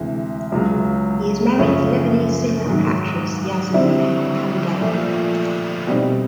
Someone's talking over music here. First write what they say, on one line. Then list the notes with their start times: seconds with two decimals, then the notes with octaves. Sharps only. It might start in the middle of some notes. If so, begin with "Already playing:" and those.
He is married to Lebanese singer and actress Yasmine Hamdan.
Already playing: D2 C3 E3 G#3
0.52 C#2 C#3 F#3
1.58 F#2 C#3 F3 A3 C#4
2.66 G#2 D#3 F#3
3.73 D3 G3 C4 E4
4.80 A#2 F3 A3
5.87 B2 G3 C4 D#4